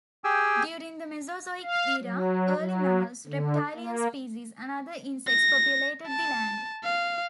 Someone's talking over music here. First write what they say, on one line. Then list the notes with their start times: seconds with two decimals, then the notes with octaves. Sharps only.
During The Mesozoic Era, early mammals, reptilian species, and other insects populated the land.
0.24 G4 G#4 G5 G#5 E6
1.64 F5
2.03 F#3
2.56 F#3
3.27 D3
3.75 A#3
5.27 A#6
6.08 A5
6.84 F5